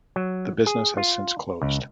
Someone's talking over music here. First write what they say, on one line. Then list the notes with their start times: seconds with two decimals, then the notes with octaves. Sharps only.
The business has since closed.
0.16 F#3
0.67 G#4
0.97 F4
1.62 C#2